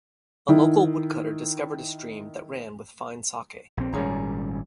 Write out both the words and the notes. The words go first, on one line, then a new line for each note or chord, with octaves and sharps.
A local woodcutter discovered a stream that ran with fine sake.
D#3 E4
A#1 C4
G#1 A#2 G3 C#4 G#4 A#5